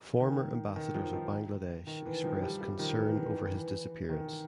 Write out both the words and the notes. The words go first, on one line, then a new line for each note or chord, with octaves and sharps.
Former Ambassadors of Bangladesh expressed concern over his disappearance.
D#3
D#3
D#3 F3
D#3 F3
D#3
E3
D#3 F3
F3 G3
F3 G3
D#3 F3
E3
E3
D#3
E3
D#3